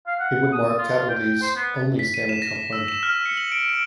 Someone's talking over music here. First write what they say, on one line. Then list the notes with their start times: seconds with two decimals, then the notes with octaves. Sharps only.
It would mark Kaberle's only Stanley Cup win.
0.07 F5
0.19 F#5
0.52 D#6
0.78 F4
1.09 G5
1.42 C5
1.56 B3
1.99 B6
2.14 D#7
2.29 E7
2.42 A#6
2.56 E7
2.73 E6
2.88 E7
3.03 F6
3.26 C#7
3.37 F#7
3.52 D7
3.69 D7